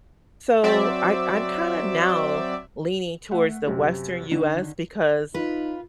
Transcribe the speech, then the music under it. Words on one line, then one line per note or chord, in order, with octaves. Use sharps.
So I I'm kinda now leaning towards the Western US because
F#3 C4 D5 E5
A3 F#5
F#2 C3
D3 D#3
D#4 F4 B4